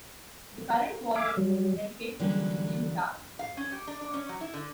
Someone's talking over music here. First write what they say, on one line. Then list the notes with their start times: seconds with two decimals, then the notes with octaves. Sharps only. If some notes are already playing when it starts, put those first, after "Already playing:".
The current volume is dedicated to William Targ.
1.15 E5 F5 G#5 D6
1.37 F#3 G3
2.20 D3 E3 F#3 G3 A#3 C#4
3.39 F5
3.57 C#4
3.72 G4
3.88 D4
4.01 D4
4.14 C#4
4.29 F#3
4.41 E4
4.54 D3